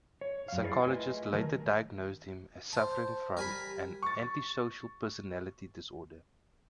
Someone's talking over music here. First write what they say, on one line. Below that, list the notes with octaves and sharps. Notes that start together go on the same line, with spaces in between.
The psychologist later diagnosed him as suffering from an antisocial personality disorder.
C#5
F#2 F5
E4 G#4 A#4 C#5 D5 F5
A3 F4 A#4 B4 D#5 G#5
D#3 F#3 A#4 A5
C5 A5
G3 A#4 G#5 B5
C#6 A6